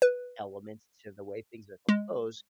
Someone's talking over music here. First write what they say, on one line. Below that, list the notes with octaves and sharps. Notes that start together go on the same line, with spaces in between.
element to the way things are composed.
B4
G#3